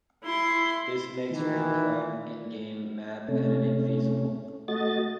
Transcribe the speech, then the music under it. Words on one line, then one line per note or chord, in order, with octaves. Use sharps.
This makes realtime in-game map editing feasible.
E4 C6
D#3 E3
C3 A3 C#4
A3 F#4 D#5 A6